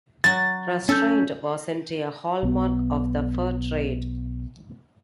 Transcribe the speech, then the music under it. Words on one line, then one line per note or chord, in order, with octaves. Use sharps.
Restraint wasn't a hallmark of the fur trade.
F#3 F#4 A6
C#4 A4 G6
B1 B3